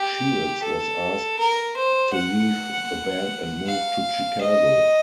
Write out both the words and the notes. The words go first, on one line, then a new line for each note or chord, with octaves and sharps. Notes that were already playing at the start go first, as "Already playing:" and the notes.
Shields was asked to leave the band and moved to Chicago.
Already playing: G4
A4
A#4
C5
F#5
F5
D#5